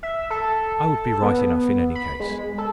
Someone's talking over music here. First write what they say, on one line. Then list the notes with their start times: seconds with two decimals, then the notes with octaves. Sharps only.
I would be right enough in any case . . .
0.03 E5
0.30 A4
1.22 B3
1.95 B5
2.20 G#3
2.58 A4